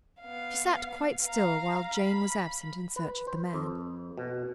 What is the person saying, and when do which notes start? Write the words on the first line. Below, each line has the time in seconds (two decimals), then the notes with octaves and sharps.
She sat quite still while Jane was absent in search of the man.
0.21 B3 F5
1.24 F5 A#5
1.95 B5
2.96 B4
3.27 C5
3.53 F2
4.18 B2